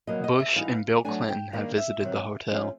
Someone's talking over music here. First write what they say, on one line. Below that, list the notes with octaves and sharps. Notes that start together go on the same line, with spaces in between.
Bush, and Bill Clinton have visited the hotel.
B2 F#3 A#3 D#5
D#5
E5
E3 G3 B3 D#4 F5
F#3 A3 D4 G#5
G5
D#3 G3 A#3 D4 F5
E5
C3 D#3 F#3
F3 A3 C#4